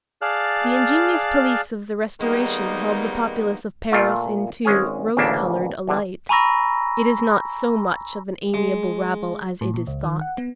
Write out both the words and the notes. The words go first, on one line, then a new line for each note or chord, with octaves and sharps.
The ingenuous police of the Restoration beheld the populace of Paris in too "rose-colored" a light; it is not so much of "an amiable rabble" as it is thought.
G#4 D5 F5 A5 F6 F#6
D#3 G3 G#3 A#3 B3 D#4
A#2 A3 F4
G#1 G#3 C#4 G#4 G#5
A1 D2 C#3 A#3 D4 E5
E2 D3
G#5 A#5 B5 C#6 E6 A#6
G#3
A2
A#2
C#2
D#3
F#5
B3